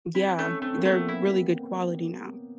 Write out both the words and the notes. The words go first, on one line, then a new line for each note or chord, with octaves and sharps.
Yeah, they're really good quality now.
C4 E4
A3 C#4
A3 C4
A#3
A3 B3
E4